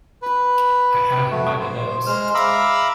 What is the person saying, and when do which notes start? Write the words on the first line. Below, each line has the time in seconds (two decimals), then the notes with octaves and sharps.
I have him by the nose!
0.22 B4
1.31 A3 F#4
1.60 C5
2.07 G#3 C5 F6
2.35 E5 F5 A#5 B5 D6 E6